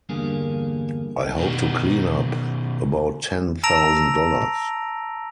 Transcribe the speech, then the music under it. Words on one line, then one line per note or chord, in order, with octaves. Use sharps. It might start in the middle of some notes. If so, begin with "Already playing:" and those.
I hope to clean up about ten thousand dollars.
E2 G2 D3 G3 A#3 G#4
B2 D#3
A5 A#5 E6 A#6 D7 F7